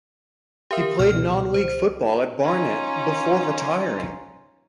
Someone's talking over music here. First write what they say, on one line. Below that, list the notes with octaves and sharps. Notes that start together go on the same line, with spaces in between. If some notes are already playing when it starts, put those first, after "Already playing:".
He played non league football at Barnet before retiring.
G4 A#4 E5 F5 G5
C#2 B2 F6
C5
C#4 D#4 F4